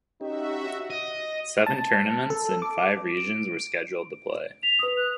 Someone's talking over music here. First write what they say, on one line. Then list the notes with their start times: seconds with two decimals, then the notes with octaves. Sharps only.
Seven tournaments in five regions were scheduled to played.
0.21 C#4 D#4 F#4 G4 E5
0.90 D#5
1.66 A5
2.30 A4
2.62 D6
3.17 D7
4.63 B6 F7
4.79 B4 D#6
4.97 F#6